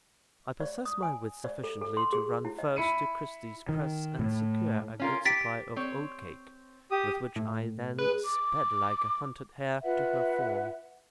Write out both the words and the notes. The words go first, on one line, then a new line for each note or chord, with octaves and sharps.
I possessed my wits sufficiently to run first to Kirsty's press and secure a good supply of oatcake, with which I then sped like a hunted hare to her form.
D5
D#6
G#5
D5
A4
A4
C6
G#4
E4
D#5
E4 B5 C#7 D#7
D#3
A2
C#4 F4 A#4
G4 A6 B6 D7
C4 C#5
G4 D#6
A2
G#4 B4
D6
F4 B4 E5 F#5